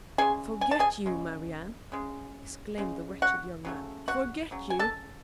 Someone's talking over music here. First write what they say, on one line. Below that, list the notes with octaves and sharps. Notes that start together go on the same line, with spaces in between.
"Forget you, Marie-Anne!" exclaimed the wretched young man, "forget you!"
C#3 G#3 G#4 G#5
G#5
A5
G#4 G#5
C#3 G#3
C#3 G#3
C#3 G#3
F#4 F#5
C#3 F#3 A3
F#4 F#5
C#3 F#3
G#5
A4 A5